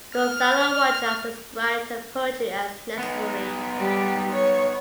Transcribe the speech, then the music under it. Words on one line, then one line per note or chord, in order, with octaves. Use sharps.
Gonzalo Rojas described her poetry as "necessary".
F6
B3 D#4
G3 G4
C#5